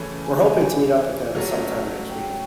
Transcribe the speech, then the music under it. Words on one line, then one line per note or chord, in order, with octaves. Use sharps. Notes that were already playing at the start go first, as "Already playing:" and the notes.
We're hoping to meet up with them sometime next week.
Already playing: C#3 E3 A3 C#4
G#5
F#3 A3 C#4
G5